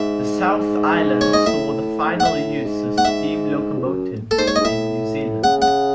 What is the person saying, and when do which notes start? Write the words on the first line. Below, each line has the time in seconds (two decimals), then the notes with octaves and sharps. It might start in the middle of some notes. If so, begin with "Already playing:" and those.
The South Island saw the final use of steam locomotives in New Zealand.
Already playing: G#2 E5
1.21 C#5
1.33 D#5
1.46 A2 E5
2.15 G#2 F#5
2.25 A2 E5
2.66 G#2
2.98 F#5
3.05 G#2 E5
3.78 E2
3.85 F#2
4.31 A4
4.38 G#2 C5
4.48 C#5
4.56 D#5
4.61 G#2
4.65 A2 E5
5.43 C#3 F#5
5.62 F#5